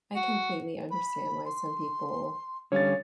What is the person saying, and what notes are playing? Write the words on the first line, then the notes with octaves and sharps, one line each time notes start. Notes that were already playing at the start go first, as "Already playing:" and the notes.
I completely understand why some people,
F#4
B5
C6
D3 G3 C#4 C#5 F5 A6